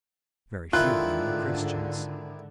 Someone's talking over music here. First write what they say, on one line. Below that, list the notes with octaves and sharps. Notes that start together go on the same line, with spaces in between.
Very few of them were Christians.
G#2 D3 D#3 C4 E4 F4 F#6